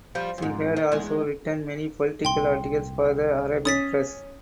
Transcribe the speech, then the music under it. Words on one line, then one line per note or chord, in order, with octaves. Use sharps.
She had also written many political articles for the Arabic press.
F3 G3
F2 G#2
D#4
E2 G#3
C2 A#2 G5 C6
C#4 D#6 A6 B6